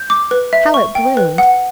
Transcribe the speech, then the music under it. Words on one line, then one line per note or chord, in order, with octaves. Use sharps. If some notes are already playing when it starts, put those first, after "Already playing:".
How it bloomed!
Already playing: G6
D6
B4
E5
C#6
G5
B4
F#5